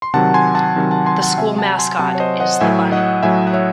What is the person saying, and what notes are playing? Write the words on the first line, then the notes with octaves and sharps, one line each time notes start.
The school mascot is the Bunny.
C6
C3 D#3 F#3 F#5 A5
G#5 C6
F#5 A5
C3 D#3 F#3
F#5 A5
G#5 C6
F#5 A5
C3 F#3 E5 G#5
F#5 A5
G#5 C6
C3 F#3 F#5 A5
C#5
C5 D#5
D#5 F#5
A2 F#3 E5 G#5
D#5 F#5
A2 F#3 E5 G#5
F#5
C#5 E5